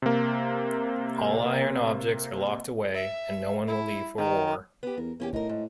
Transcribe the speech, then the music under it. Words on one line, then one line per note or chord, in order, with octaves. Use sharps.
All iron objects are locked away, and no one will leave for war.
C3 A#3
E5
E4
D#3
B3 G4
E2 A#4
E2 A#3 C#4 G4
A2 D#4 A#4
G#2